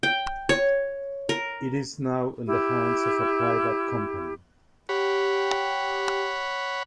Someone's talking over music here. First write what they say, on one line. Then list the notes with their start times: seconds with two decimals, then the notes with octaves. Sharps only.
It is now in the hands of a private company.
0.03 G5
0.49 C#5
1.29 A#4
2.47 E4 G4
4.89 G4 C#5 F#5 B5